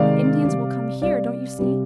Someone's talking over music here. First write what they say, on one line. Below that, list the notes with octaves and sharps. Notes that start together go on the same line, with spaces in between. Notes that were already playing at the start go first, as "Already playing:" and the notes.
The Indians will come HERE, don't you see?
Already playing: C3 D#3 G#3 D5 F5
C3 G3
C3 G3 D5 F5
C3 G3